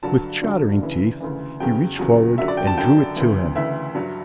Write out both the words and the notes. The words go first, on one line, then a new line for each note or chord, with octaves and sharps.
With chattering teeth, he reached forward and drew it to him.
G2 D3 F#3 A5
G2 D3 F#3
D2 C#3 E3
D2 C#3 E3
E2 C#3 F#3 G5
E2 C#3 F#3
F#2 D3 F#3 E5
D5
G5
A5
F#2 D3 F#3 G5
D2 C#3 E3
D2 C#3 E3 E5
G2 F#3